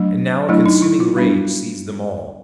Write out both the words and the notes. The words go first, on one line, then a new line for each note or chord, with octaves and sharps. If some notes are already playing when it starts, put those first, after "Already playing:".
And now a consuming rage seized them all.
Already playing: F#3 A3 D4
F#3 A3 D4 E4
D#4
E4
F4
G3 B3 D4 F#4